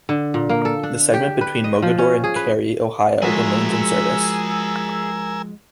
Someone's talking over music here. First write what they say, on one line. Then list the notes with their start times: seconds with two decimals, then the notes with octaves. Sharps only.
The segment between Mogadore and Carey, Ohio, remains in service.
0.09 D3
0.34 A#2
0.49 A#3
0.65 A4
0.83 D4
1.14 G4
1.41 B4
1.64 D#5
1.82 F3
1.98 C#4
2.24 G#4
2.36 B4
3.22 F3 G#3 F#4 G#4 A#4 E5 G#5 E6